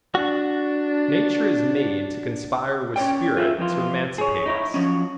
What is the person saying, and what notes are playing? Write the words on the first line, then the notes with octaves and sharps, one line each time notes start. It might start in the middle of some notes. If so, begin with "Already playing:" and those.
Nature is made to conspire with spirit to emancipate us.
D4 F#4
C#4 C#5 D5 G5
F4 G#4 E5
F2 E3 F4
G#4 C#5
D#4 E4 C#5
F3 F#3 C#4